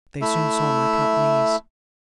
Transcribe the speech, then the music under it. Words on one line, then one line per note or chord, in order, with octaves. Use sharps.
They soon saw my cut knees.
A3 E4 E5